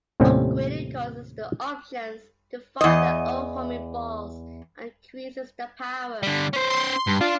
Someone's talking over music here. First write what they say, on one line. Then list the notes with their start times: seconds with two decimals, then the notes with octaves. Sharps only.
Upgrading causes the options to fire their own homing balls, and increases their power.
0.20 D#2 A2 C3 G3 C4 C#4
2.81 E2 D#5
6.23 D3 G3
6.54 C#4 C5
6.70 C6
7.07 G2
7.21 D4 F4 D5